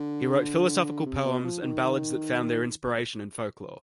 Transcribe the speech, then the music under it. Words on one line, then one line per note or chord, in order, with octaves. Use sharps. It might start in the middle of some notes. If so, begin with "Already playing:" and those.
He wrote philosophical poems, and ballads that found their inspiration in folklore.
Already playing: D3
C3
B2
F3
D#3